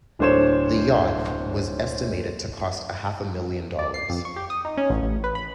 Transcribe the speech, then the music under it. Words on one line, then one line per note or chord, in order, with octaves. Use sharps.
The yacht was estimated to cost a half a million dollars.
D1 D4 A4 C5 C#5 E7
D5
C7
F2
C#6
G4
D#6
D#4
C#4
A1
A1
B4
B5